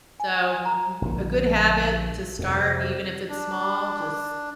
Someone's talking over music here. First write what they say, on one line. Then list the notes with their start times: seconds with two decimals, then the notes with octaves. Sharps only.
So, mhm, a good habit to start, even if it's small, just
0.20 G#5
0.65 A#5
1.02 A#1 D3
2.39 F2 C3
3.29 D4